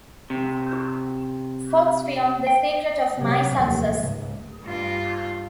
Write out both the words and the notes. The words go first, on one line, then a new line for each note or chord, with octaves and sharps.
Fox film "The Secret of My Success".
C3
G5
C3 F#3
F1 D#2
C#2 G#2
G2 F4